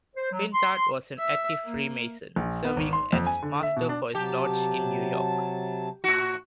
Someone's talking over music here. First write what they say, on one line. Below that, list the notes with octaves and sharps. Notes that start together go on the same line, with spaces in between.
Pintard was an active Freemason, serving as Master for his Lodge in New York.
C5
F#3
C6
E5
A#3
A#1
B3
G#1
C6
F2
G#5
D3
E5
B2
D4
C3 F#3 G4 A5
A2 F#4